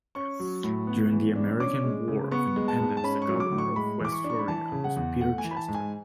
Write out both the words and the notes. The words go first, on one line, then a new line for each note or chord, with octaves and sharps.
During the American War of Independence the Governor of West Florida was Peter Chester.
C#4 C#6
F#3
A2
B3
E3
D4
C#4 D6
G#3
C#3
B3 C#6
G#3
A5
G#2
A5
C#4 B5
C#6
F#3
D6
A2
C#6
G#3 B5
E3 D6
C#6
D4
C#6
B5
E3 A5
C#3
F#5
E2
A3 F#5
G#5
E3
B5
A5
G#2
G#5